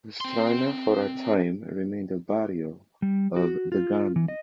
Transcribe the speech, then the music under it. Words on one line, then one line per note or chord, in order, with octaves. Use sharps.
Pastrana for a time remained a barrio of Dagami.
C4 C6
G3
F#4
F4
E3
D#5